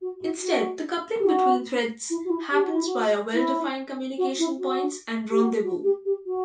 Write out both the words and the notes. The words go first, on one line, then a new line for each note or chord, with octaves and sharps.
Instead, the coupling between threads happens via well-defined communication points and rendezvous.
F#4
F#4
F#4
G4
F#4
E4
F#4
E4
G4
F#4
E4
F#4
E4
F#4
E4
F#4
G4
F#4
F#4
G4
G4
F#4